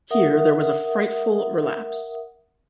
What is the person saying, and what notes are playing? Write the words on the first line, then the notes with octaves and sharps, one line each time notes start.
Here there was a frightful relapse.
A#4 E5 F#5 D#6